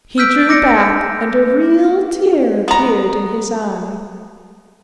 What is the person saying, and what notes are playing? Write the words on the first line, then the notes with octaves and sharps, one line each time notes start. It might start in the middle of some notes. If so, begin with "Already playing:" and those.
He drew back and a real tear appeared in his eye.
E6 F6 G6 B6 D7
D6 A#6 C#7 D7
B3 A#5